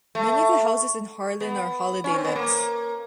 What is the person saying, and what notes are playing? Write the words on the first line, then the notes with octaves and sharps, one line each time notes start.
Many of the houses in Harlyn are holiday lets.
A3
B3
C#4
C4
B3
A#3